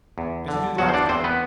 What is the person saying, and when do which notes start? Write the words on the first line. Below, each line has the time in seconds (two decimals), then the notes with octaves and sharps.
As you did last time!
0.18 E2
0.48 D3
0.78 E2 F#3 F#4
0.89 C5
0.94 D4 D5
1.09 E2 C4 C5
1.24 B3 B4